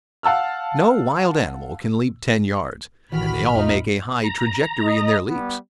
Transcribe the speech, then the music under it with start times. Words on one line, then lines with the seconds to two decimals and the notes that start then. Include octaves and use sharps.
No wild animal can leap ten yards, and they all make a high trajectory in their leaps.
0.23 F5 F#5 A5 E6 F6
3.12 A1 D#3 E3 F#4 G4 B5 F6
3.55 E2 A3 D#4 F4
4.24 A#5
4.84 D#5
5.28 G3 B3